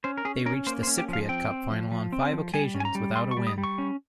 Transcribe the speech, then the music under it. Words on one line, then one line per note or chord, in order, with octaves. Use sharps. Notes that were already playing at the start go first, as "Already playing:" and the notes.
They reached the Cypriot Cup final on five occasions without a win.
C#4 C5
A#4
C#4 G#4
C#4 A#4
A#3 C5
C5
C#4
G4
F3 F5
C4 G5
C4
F3
F3
C4
F3
G3 G#5
C#4
G#5
A#5
G3
G3 C6
C#6
G3
D#6
G3
C#6
C#4